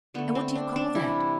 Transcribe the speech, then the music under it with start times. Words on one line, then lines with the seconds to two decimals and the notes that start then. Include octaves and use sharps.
"And what do you call that?"
0.14 D3 A3 B3
0.35 C4
0.55 D4
0.76 D4
0.95 C3 E3 G3 E4